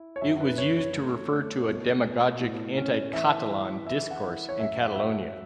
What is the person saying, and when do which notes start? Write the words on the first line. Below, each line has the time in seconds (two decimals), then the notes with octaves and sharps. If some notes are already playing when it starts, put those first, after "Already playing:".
It was used to refer to a demagogic anti-Catalan discourse in Catalonia.
Already playing: E4
0.16 C#5
0.21 F#2 E5
0.40 B4
0.58 F#2 C#5
0.77 C#5
0.95 A3
1.31 A3
1.68 B2
2.05 B2
2.41 A2
2.77 C#4
3.13 E3 E5
3.49 E3
3.87 E4 E5
4.11 F#5
4.23 E4
4.49 C#5
4.58 F#2 E5
4.86 F#5
4.95 F#3 E5